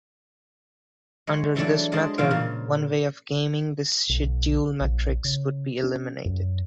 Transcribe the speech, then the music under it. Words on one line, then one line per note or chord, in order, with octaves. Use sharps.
Under this method, one way of gaming the schedule metrics would be eliminated.
G#3 C#5
E3 F#3 G3 A3 D4 E4
F#3 G#3 G#4 D5 A5 C6
B2 E3 F3 C5 F5 G5
A#2 C#3
B1
A#1
C#3
C#4
F#2